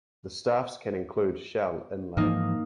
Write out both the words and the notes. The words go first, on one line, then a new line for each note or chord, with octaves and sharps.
The staffs can include shell inlay.
G#2 E3 F3 A#3 D#4